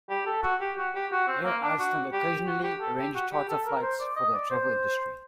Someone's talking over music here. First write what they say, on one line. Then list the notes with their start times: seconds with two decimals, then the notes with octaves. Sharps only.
Air Iceland occasionally arrange charter flights for the travel industry.
0.10 G4
0.27 A4
0.43 F#4
0.61 G4
0.78 F#4
0.95 G4
1.12 F#4
1.28 C4
1.45 A#3
1.63 D4
1.80 F#4
2.13 G4
2.47 F#4
2.64 G4
2.81 A4
2.98 G4
3.15 F#4
3.32 G4
3.49 A4
3.66 A#4
3.83 C5
4.00 D5
4.16 D#5
4.34 D5
4.51 C5